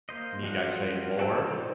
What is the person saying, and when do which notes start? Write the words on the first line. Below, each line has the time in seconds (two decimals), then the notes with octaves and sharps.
Need I say more?
0.09 A#3 C5 D#5
0.43 F3 G3 F#4 F5 F#5
1.19 F#4 A4 G5 E6
1.44 D#4 F4 C5 D5 A#5